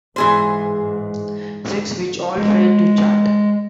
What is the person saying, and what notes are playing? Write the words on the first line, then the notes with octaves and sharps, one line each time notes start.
Sex, which all failed to chart.
G#2 E3 G#4 C5
G#3